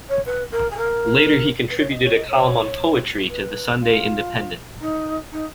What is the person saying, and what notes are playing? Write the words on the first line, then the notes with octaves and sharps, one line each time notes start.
Later he contributed a column on poetry to the "Sunday Independent".
C#5
B4
A#4
G#4
A#4
B4
C#5
D#5
C#5
D#5
C#5
B4
F4
D#4
D#4